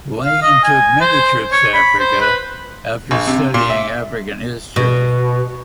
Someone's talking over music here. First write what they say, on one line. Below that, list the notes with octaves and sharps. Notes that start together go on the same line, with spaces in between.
Layne took many trips to Africa, after studying African history.
F5
D#5
G#5
C5
C#5
B5
C5
B4
A#1
C3
A#2
E5
B2